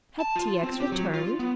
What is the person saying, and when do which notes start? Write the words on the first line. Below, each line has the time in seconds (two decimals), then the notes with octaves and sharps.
Had T. X. returned!
0.20 A5
0.36 F4
0.63 C4
0.80 G4
0.92 F#3
1.14 F4
1.39 B3